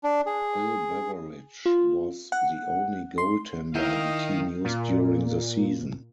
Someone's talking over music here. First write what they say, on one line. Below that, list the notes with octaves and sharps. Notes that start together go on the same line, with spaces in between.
Bill Beveridge was the only goaltender the team used during the season.
D4
G#4
F4
F#5
C6
D#3 E4 D#5 F5 G5 D#7
A#2